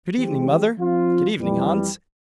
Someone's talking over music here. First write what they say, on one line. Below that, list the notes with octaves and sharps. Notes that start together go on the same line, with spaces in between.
'Good evening, mother.' 'Good evening, Hans.
E3 G#3 C4 G4
F3 C4 F4
F2 E3 G3